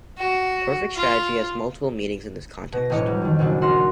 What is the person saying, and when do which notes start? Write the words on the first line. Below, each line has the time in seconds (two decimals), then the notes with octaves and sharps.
Perfect strategy has multiple meanings in this context.
0.18 F#4
0.97 F4
2.73 B2 A#6
2.90 E1 A2 E3 C#5 D#5
3.06 F#3 G3
3.22 F2 D#3
3.39 A#2 C#3 F#3 D4
3.61 F#4 F#5 C6 F6 A#6